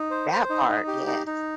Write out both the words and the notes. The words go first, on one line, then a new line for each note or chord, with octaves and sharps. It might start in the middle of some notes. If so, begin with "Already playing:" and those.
That part, yes.
Already playing: D#4
C5
C5
D#4
D#4
G4
D#4
D#4